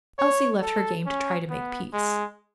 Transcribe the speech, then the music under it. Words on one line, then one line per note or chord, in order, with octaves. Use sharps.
Elsie left her game to try to make peace.
C#5
A4
C#4
B3
G#3